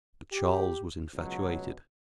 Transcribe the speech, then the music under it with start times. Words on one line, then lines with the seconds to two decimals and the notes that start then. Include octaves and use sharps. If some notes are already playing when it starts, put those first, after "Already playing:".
But Charles was infatuated.
0.32 G4
1.14 C#2 B2 F#3